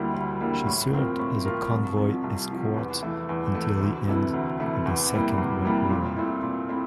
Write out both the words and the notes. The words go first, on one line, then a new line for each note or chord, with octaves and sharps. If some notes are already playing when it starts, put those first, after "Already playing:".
She served as a convoy escort until the end of the Second World War.
Already playing: D2 D3 G3 A#3 E4
D2
D3 G3 A#3 E4
A2
F3 C4 F4 A#4
A2
F3 C4 F4 A#4
C2
C3 F3
C2
C3 F3
E2
E3 A3
E2
E3 A3
D2
C3 E3 A3 E4
D2
C3 E3 A3 E4
E2
C3 G3 A#3 E4
E2
C3 G3 A#3 E4
A#2
A3 C4 E4
A#2
A3 C4 E4